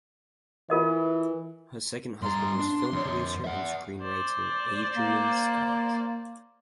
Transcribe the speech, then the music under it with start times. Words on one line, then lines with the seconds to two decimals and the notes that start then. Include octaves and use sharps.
Her second husband was film producer and screenwriter Adrian Scott.
0.70 E3 F4 A#4 D#5
2.22 G2 A#5 C6
2.59 D4
2.93 F2 C#5
3.44 E5 F#5
4.02 C5 D5
4.96 A#3